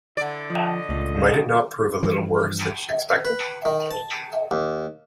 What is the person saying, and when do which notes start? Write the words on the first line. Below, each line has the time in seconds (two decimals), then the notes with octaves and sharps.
Might it not prove a little worse than she expected?
0.17 D3 E4 D5
0.50 F3 D#5
0.89 C#2 A#2 A3
2.03 G2 E3 F3
3.25 B4
3.65 D#3
3.91 A5
4.51 D#2